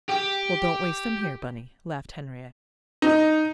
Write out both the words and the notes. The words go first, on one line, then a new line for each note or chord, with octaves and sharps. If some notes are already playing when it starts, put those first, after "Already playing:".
"Well, don't waste them here, Bunny," laughed Henriette.
G4
D#4